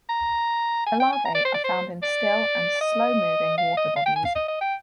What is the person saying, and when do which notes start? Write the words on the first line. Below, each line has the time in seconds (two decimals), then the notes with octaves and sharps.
The larvae are found in still and slow-moving waterbodies.
0.09 A#5
0.86 G#5
1.00 G5
1.12 G#5
1.25 A#5
1.35 D5
1.45 C5
1.54 D5
1.64 C5
2.03 D5
2.81 D#5
3.58 F5
3.77 D#5
3.96 F5
4.06 G5
4.16 G#5
4.25 F5
4.35 D#5
4.48 D#5
4.61 G5